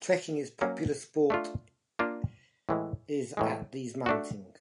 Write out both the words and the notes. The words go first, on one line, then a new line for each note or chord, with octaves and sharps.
Trekking is popular sport is at these mountains.
F#3 A#3 C#4
A3 D4 F4
A#3 D4 F4
A2 E3 G#3
A2 E3 G#3
A3 D4 F#4